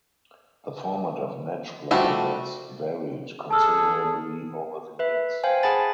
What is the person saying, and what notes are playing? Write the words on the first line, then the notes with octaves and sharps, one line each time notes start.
The format of match play has varied considerably over the years.
F3 G3 A3 D4 F#4
G#4 A4 A5 E6 F6
B4 E5
C5 F5 G5 G#5
G#4 F#5 G#5 A5 B5 A6